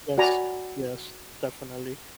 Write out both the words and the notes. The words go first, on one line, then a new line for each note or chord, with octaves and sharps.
Yes, yes, definitely.
F#4 D5 G#5 A#5 B5